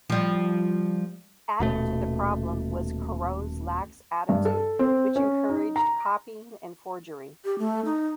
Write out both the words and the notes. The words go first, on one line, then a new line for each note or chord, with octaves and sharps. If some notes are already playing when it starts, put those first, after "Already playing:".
Adding to the problem was Corot's lax attitude which encouraged copying and forgery.
F3 G3
D#1 B2 A3
G2
A4
C4
C#4
D#4
A#5
G4
A3
D#4